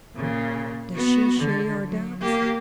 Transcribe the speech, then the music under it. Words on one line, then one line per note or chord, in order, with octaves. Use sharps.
"Does she share your doubts?"
A#2 C#3
B3 F#4
D3
F#3
A#3 G4